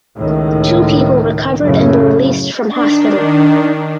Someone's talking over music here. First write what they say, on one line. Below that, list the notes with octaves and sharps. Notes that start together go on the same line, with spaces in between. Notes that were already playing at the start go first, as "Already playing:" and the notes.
Two people recovered and were released from hospital.
C#2 A2 D#3
F#2 A2 C#3 F#3
D#3 D4